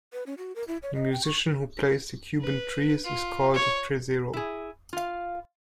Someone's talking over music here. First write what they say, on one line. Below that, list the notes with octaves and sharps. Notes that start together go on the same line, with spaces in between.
A musician who plays the Cuban tres is called a "tresero".
B4
C#4
F#4
A#4
E4
C#5
D#5
G5
C#6
B4
F4
C#5
E4 G#4
F4 F5